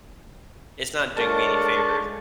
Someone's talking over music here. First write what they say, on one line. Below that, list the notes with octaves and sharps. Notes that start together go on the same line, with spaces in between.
it's not doing me any favors
G#3 D4 F4 A4 A#4 C#5 C#6